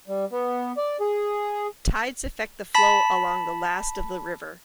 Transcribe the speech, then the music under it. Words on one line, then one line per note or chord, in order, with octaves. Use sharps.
Tides affect the flow along the last of the river.
G3
B3
D5
G#4
A5 B5 B6